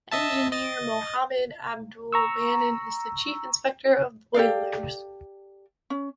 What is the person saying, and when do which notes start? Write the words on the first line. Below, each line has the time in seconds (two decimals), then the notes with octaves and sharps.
Engineer Mohammad Abdul Mannan is the Chief Inspector Of Boilers.
0.11 D#5 E5 A5
0.52 D#5 A6
2.12 A#5 C#6 E6
4.34 G4 A4 D5 F5
5.90 C#4